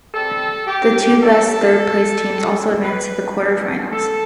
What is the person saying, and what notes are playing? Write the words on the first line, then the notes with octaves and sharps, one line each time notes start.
The two best third place teams also advance to the quarter-finals.
C3 G3 C4 A4
G4
D3 F#3 A3 A4
C3 G3 C4
B4
C3 E3 G3 D4 A4
A4